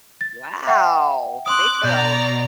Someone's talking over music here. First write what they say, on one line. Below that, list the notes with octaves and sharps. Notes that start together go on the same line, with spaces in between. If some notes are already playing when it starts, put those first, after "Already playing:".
Wow! They put al
A6
E5 F#5 G5
C6 D6 D#6 F#6
B2 D5 A#5 G6